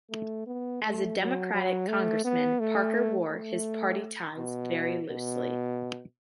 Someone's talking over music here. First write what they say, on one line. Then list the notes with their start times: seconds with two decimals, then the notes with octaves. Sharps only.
As a Democratic congressman, Parker wore his party ties very loosely.
0.11 A3
0.47 B3
0.82 A3
1.18 F#3
1.54 F#3
1.88 A3
2.25 B3
2.60 A3
3.30 A3
4.38 B2
5.08 B2